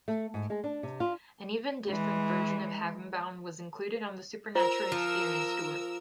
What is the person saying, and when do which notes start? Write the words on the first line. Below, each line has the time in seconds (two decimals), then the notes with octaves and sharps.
An even different version of "Heavenbound" was included on The Supernatural Experience tour.
0.08 A3
0.34 G#2
0.50 G#3
0.64 D4
0.83 C3
1.00 F4
1.88 E3 G#3
4.55 F4 A#4 C5 E6
4.92 F3